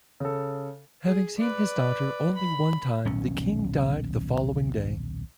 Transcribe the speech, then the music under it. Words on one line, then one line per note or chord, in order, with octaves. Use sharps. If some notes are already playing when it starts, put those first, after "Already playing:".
Having seen his daughter only one time, the King died the following day.
C#3 A4
G#4
B4 D5
B5
D#1 B1 C#4